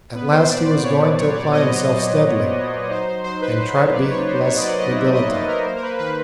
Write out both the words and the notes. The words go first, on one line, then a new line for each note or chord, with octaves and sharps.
At last he was going to apply himself steadily and try to be less the dilettante.
B3 B4
C5
A#2 D5
D5
A#2 C#5
F#3 C#5
D5
B3 D#5
A#2
A#2
F#3
D#4 C5
C5
F#3 C5
B4
F#3 C5
C#5
A#3 D5
C#5
D#4 C5
C#5
D#5
F#3 D5
D#5
F#3 E5
D#5
A#3 D5
A#4
A#3 C5
A#4
B4
D#3 B4